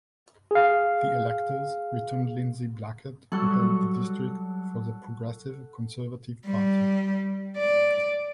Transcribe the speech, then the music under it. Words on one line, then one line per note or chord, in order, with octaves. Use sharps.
The electors returned Lindsay Blackett who held the district for the Progressive Conservative Party.
G#4 F5
F#3 G3 F#4 A4
G3
D5